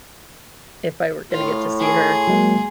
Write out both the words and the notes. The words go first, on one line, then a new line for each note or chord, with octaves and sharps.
if I were gonna get to see her
A2 F4
G#4 C6
F#3 G#3 A#3